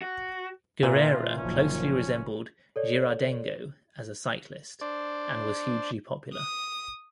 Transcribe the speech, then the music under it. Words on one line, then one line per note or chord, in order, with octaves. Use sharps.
Guerra closely resembled Girardengo as a cyclist, and was hugely popular.
F#4
A#2 E3 F4
F#1 D#3 F3 C#4
A4 C#5 D5
D4 C5 D5
D#6